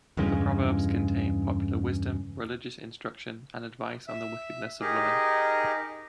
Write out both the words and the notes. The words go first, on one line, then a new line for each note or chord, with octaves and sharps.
The proverbs contain popular wisdom, religious instruction, and advice on the wickedness of women.
E2 G2 C#3 G#3
E5
D#4 G4 G#4 A#4 D#5